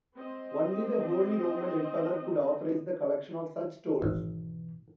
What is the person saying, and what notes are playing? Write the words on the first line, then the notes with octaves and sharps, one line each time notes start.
Only the Holy Roman Emperor could authorise the collection of such tolls.
C4 D#5
G#1 B2 E3